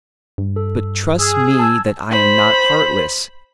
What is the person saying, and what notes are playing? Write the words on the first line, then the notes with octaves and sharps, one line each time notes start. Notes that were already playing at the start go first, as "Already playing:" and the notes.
But trust me that I am not heartless.
G2
A4
G#4 E6 F6
A5 E6 G#6
C5 B5